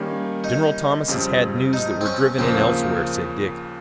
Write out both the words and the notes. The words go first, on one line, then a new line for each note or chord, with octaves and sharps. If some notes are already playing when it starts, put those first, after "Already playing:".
"General Thomas has had news that we're driven in elsewhere," said Dick.
Already playing: D#3 G3 A#3 C#4
D#4
F2 C#3 G3 C4
D#4
C4
C#4
D#2 C#3 F3 A#3 C4